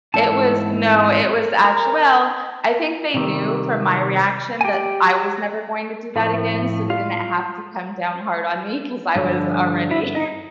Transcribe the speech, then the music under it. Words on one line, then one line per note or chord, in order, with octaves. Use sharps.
it was no, it was actual well, I think they knew from my reaction that I was never going to do that again, so they didn't have to come down hard on me 'cause I was already.
G#2 E3 A3 C4 A4 A5
A#4 A#5
C3 D#3 G3 C4
G#5
G4 G5
A2 F3 A3 C4
F4 F5
G2 D3 F3
E4 E5
D#4 D#5